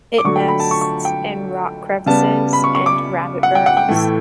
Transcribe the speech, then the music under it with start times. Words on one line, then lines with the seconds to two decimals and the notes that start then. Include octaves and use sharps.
It nests in rock crevices and rabbit burrows.
0.18 D6
0.24 D3 F#3 A3 C#6
0.36 G5
0.48 B5
0.60 A5
0.71 C#6
0.81 C#6
1.05 G5
2.06 C#3 G3 B3 A5
2.53 B5
2.64 C#6
2.75 C#6
2.86 D6
3.43 F#5
3.55 G5
3.66 F#5
3.77 G5
3.89 A2 E3 A3